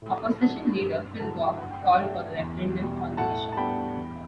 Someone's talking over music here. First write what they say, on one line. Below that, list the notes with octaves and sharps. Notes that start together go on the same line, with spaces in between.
Opposition Leader Phil Goff called for a referendum on the issue.
A2
F#3 A3 D4 F#5 A5
G2
D3 F#3 A3 E4 F#5 A5
G2 F#5
G5
D5 F#5
F#3 A3 D4 E5 G5
E2
B2 G3
A2 F#5 A5
A5
G3 B3 D4 G5 B5
E2